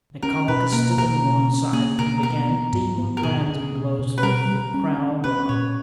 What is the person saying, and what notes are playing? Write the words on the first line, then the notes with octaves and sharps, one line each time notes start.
Mikolka stood on one side and began dealing random blows with the crowbar.
C#4 A#4
B2 B4
A#3 A#4
B2 A#4
C#4
C#4
A#3 G#4
B2 A#4
B3 A#4
B3
G#2
B3
A#4
B2 G#4
B2
C#4
B2
B4
G3 A#4
G3
C#4
C#4
C#4 B4
A#2 C#5